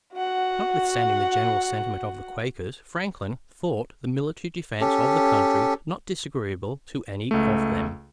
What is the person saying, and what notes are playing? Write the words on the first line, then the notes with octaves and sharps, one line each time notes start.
Notwithstanding the general sentiments of the Quakers, Franklin thought the military defence of the country not disagreeable to any of them.
F#4 F#5
C#4 G4 A4
C#2 A3